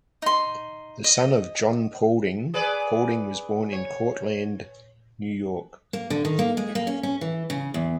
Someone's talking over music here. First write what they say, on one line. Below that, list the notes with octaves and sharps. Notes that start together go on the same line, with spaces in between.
The son of John Paulding, Paulding was born in Cortlandt, New York.
D#4 C6
D#5
G#4 B4 D5
C#5
A#3
D3
D#3
A#3
G#3
A#3
C#4
C#4
E3
C#3
E2